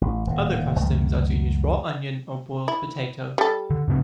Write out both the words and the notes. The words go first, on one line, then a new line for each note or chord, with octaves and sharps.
Other customs are to use raw onion, or boiled potato.
A1
D#1 A2
C#2 F#2 D#3 A3
E4
G3 A4
D3
G2 C#3 C4